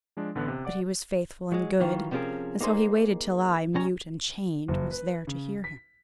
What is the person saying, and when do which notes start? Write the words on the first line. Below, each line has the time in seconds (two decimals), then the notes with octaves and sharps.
But he was faithful and good, and so he waited till I, mute and chained, was there to hear him.
0.17 F3 G#3 D4
0.35 A1 D3 B3 D4 F#6
0.48 C3
0.65 D5 F#5 D6
1.52 F#3 G#3
1.80 D#3 E3 F#3 F4
2.11 C3 F3 B3 C#4 G#4 A#4
2.61 A#3 D#4 G#4 C5
3.74 C2 C#4 A#5
4.68 F#1
4.91 B4
5.27 C#3
5.64 B6